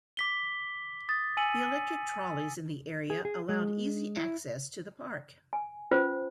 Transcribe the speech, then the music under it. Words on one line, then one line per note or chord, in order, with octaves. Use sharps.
The electric trolleys in the area allowed easy access to the park.
D6 B6 G7
D#6 A6
G#5 E6 C#7 D#7 F#7
G#4
G#4
G#3
E4
G#5
C#4 F4 B4 C5